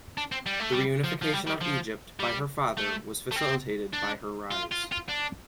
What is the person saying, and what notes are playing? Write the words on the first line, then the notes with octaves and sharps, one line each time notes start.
The reunification of Egypt by her father was facilitated by her rise.
D4
C4
G3
A3
G3
F3
F3
G3
G3
F3
G3
A3
A3
C4
D4
F4
F4
F4
D4